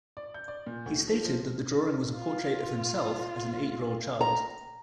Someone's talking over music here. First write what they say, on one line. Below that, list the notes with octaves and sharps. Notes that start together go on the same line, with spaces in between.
He stated that the drawing was a portrait of himself as an eight-year-old child.
D5
G6
D5
A#2
D2
F3
F3
F4
A#5